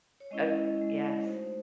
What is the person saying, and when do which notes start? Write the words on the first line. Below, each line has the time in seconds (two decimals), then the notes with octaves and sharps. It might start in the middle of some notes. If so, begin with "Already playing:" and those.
Uh Yes.
0.20 C#5
0.31 G#3 C#4 E4 D#5
0.78 G#3 C#4 E4
1.14 C#5
1.24 A3 D#4 F#4 C5